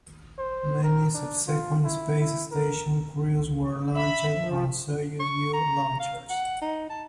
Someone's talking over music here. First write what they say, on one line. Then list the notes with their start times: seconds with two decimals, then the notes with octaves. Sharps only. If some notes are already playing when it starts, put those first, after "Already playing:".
Many subsequent space station crews were launched on Soyuz-U launchers.
0.38 C5
0.84 A#4
1.14 D4
1.48 F4
1.84 E4
2.21 E4
2.51 A#4
3.95 E5 B5
4.32 F3
5.20 C#6
5.53 A#5
6.00 F5
6.30 F#5
6.62 D#4
6.90 A5